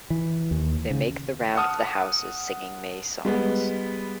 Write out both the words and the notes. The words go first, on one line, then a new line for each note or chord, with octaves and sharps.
They make the round of the houses singing May songs.
E3
D#2
C#3
F#5 A5 D#6 F6
G3 G#3 B3